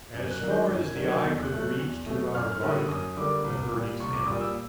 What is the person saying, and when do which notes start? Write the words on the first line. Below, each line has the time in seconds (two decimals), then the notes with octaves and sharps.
As far as the eye could reach to our right, the herd extended.
0.14 F#2
0.31 F#6
0.41 D#3 F#3 A#3 D4
0.50 G6
0.69 F#2
0.87 G#6
0.96 D#3 F#3 A#3 D4
1.05 G#6
1.24 E2 G6
1.42 F#6
1.51 B2 F#3 A3
1.61 F#6
1.79 E2
2.06 B2 F#3 A3
2.35 F#2 F6
2.52 F6
2.61 D3 G3 A#3
2.71 D#6
2.89 F#2 D#6
3.17 D3 G3 A#3 D6
3.44 C2
3.72 A#2 G3
4.00 C2 C#6
4.13 D6
4.27 A#2 G3 D#6
4.41 E6